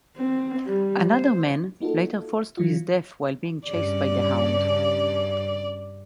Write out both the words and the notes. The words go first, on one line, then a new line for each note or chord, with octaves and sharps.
Another man later falls to his death while being chased by the hound.
C4
G3
C5
A#3 D#4 F4 F#4 A4
E3 F#3 E4 F4
G2 C#3 D5